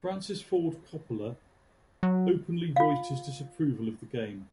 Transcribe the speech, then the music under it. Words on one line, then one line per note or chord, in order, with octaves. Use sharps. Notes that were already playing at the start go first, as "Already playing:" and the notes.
Francis Ford Coppola openly voiced his disapproval of the game.
F#3
F4 F5